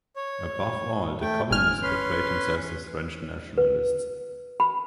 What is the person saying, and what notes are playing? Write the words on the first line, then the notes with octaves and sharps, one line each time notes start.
Above all the Communists portrayed themselves as French nationalists.
C#5
A3 G5
G1 G#5 F6
C#4 B4 C6
B4
B5